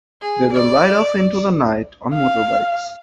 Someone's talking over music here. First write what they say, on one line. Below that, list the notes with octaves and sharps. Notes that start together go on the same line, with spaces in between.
They then ride off into the night on motorbikes.
G#4
D5
F5